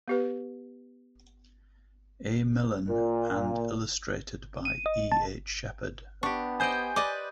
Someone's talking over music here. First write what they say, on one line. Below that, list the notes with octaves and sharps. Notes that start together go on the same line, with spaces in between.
A. Milne and illustrated by E. H. Shepard.
B3 G4 B4
A#2
D#7
D#5
A5
B3 D4 G4 C#6
C5 D#5 G5 G#5 G6
B4 D5 D#5 D6